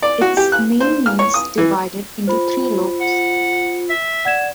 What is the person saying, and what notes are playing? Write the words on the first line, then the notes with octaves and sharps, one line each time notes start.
Its name means 'divided into three lobes'.
D5
F#4
G4
F#6
C5
F6
C#5
D#6
E3
F4 C5 B5
F#5
E5
D5 F#5 G#6 E7